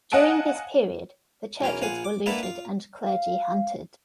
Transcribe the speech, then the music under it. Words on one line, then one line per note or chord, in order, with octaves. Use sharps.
During this period, the churches were looted and clergy hunted.
D#5 F5 F#5 G#5 A5 D7
B1 E2 C#4 A#4
A#1 F4 F#5 G#5
D6
A#3 B3 D4 E4 A4 B4
F4
F5